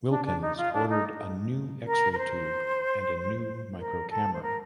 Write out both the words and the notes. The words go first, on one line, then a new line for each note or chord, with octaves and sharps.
Wilkins ordered a new X-ray tube and a new microcamera.
D4
D4
D#4
F4
D4
D#4
A#4
A#4
C5
A#4
A4
C5
A#4